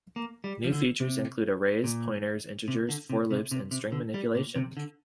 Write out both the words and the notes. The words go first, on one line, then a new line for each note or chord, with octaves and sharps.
New features include arrays, pointers, integers, for loops and string manipulation.
A#3
G3
F3
D3
C3
A#2
C3
D3
C3
C3
C3
C3
D3
G3
A#2
C3
D3